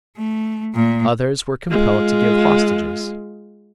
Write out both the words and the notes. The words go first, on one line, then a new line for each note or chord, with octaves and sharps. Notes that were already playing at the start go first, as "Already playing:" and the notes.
Others were compelled to give hostages.
A3
A#2
G#3 F4